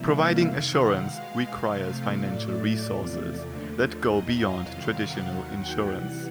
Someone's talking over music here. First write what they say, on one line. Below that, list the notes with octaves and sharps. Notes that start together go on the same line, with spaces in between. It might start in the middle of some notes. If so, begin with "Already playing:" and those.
Providing assurance requires financial resources that go beyond traditional insurance.
Already playing: C3 E3 G3 A#3 E5
F5
F2 C3 D#3
F#5
B2 G#3 F5
F5
C3 F3 A3
A2 F#3 A3 D5
D5
E2 C3 F3 A3 D5
D5
D#2 D3 F3 A3
E2 B2 F#3 D#5
F5
F2 C3 D#3 G3
F#5
D#2 D#3 F#3
G5
C3 E3 G3 F#5